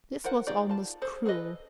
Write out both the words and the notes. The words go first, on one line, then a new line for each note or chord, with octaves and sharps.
This was almost cruel.
F4 A#4 C5 F#5
D#4 F4 G4 G#4 D5
F4 A5
G#4 A4 C5
G#4 A4 B4 D#5